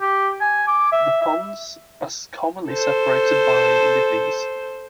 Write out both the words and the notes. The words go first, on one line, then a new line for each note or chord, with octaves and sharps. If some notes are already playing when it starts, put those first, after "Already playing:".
The ponds are commonly separated by levees.
G4
G#5
D6
E5
E5
A4 C5